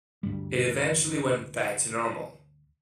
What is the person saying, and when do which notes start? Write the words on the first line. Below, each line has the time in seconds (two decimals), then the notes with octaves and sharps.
It eventually went back to normal.
0.23 D2 G2 G3